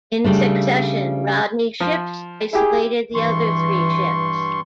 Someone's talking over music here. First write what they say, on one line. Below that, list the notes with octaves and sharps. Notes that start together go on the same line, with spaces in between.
In succession, Rodney's ships isolated the other three ships.
C#3 G3 A3 D4
F3
E4 G4 G#4
G2 E3 C6 C#6